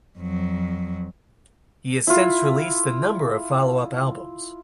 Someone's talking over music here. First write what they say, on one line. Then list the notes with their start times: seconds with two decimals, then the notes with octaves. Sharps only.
He has since released a number of follow-up albums.
0.19 F2 F#3
2.07 E4 F4